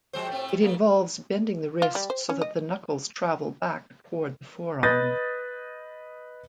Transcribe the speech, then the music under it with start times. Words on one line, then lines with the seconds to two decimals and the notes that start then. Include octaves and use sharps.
It involves bending the wrist so that the knuckles travel back toward the forearm.
0.13 F3 G#3 F#4 G4 C5 C#5
0.28 A2 A3 C4
0.49 C#4 E4
0.61 A3 A#3
1.82 F4
1.95 G3
2.10 C5
2.29 C#4
2.42 D#5
4.83 B4 D#5 D#6 G6 A6 A#6